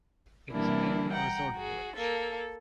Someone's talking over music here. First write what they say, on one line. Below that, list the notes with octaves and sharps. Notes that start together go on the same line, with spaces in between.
It is mainly a resort village.
E3 G3 A#3 D4 E4
F#5 G5 A#5
F#4 G#4
A#3 A4